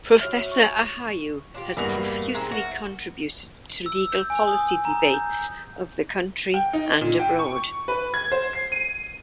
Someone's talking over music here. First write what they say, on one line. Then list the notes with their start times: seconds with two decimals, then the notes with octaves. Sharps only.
Professor Ahuja has profusely contributed to legal policy debates of the country and abroad.
0.21 F#4 C#5 E5 F6
0.51 C#6
1.54 D4 F4 G4
1.77 E2 G2 A#3 F#4 A#4 B4 F7
2.35 G#3 C4 D#4 E5 A#5
2.51 F#4 A#4
3.86 E6
4.12 G6
4.30 G#5
4.48 D#6
4.85 A#5
5.14 G6
5.33 G6
6.54 G5
6.73 D#4
7.01 A#2
7.20 G5
7.39 C#6
7.88 B4
8.14 G#6
8.32 C5
8.53 C7
8.72 D#7